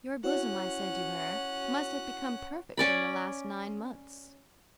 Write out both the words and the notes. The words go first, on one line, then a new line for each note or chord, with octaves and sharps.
"Your bosom," I said to her, "must have become perfect during the last nine months."
C#4 E4 F#4 C#5 F#5
C#4 D5 B5